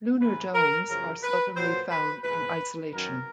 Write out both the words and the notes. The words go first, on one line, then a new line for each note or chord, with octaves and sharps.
Lunar domes are seldomly found in isolation.
G#2 E3 B4
A#4
F#2 C#3 F3 A#4
B4
A#2 F#3 C5
B4
G#2 E3 B4
F#2 D#3 F#3 A#4